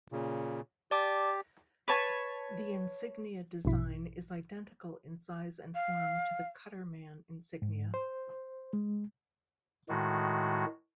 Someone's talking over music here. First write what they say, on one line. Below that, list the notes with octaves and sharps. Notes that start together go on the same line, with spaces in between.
The insignia design is identical in size and form to the cutterman insignia.
A#2 C#3
G4 D5 A5 D6
B4 C#5 A5
A#1 G2 B2 E4 B6
F5
G#2
C5
G#3
A2 D#3 G#3 F#4